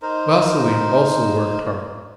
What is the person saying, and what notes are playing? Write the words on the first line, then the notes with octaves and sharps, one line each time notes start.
Vasily also worked hard.
D#4 A#4 C5